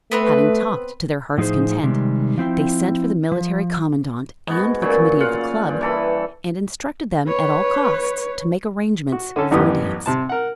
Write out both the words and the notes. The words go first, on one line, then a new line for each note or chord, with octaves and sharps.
Having talked to their hearts' content, they sent for the Military Commandant and the committee of the club, and instructed them at all costs to make arrangements for a dance.
A3 B3 C4 B4
A2 F3 D#4 E4 G#4 C5
C3 D#3 G3 G#3
F3 C4 E4 G5
F3
G#2 B3 F#4
A#2 C#3 F#3
F4 F5 F#5
G2
E3 A4 B5
B4 C#5
F#4
D3 C#4 A4
A1 F#2 E3 B3 G4 D#6
C3 A5
A#4 F#5